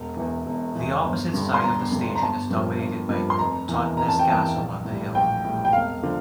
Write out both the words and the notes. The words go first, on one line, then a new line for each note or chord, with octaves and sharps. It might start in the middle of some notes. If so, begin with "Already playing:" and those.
The opposite side of the station is dominated by Totnes Castle, on the hill.
Already playing: E1
E2 E3
E1
E2 E3
G1
G2 D3
C6
G1 A#5
G2 D3
A#5
G1 A5
G2 F3 A#3
G1
G2 F3 A#3
C6
F1 A#5
E2 E3 A#3
F1 A#5
A5
G5
E2 E3 A#3 A5
A#1
A2
G3
A#1 G5
A2 G3
G5
E1 F5
D3 F3